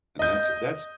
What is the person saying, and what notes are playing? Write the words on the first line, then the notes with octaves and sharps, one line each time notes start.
And that's that's
D#5 G6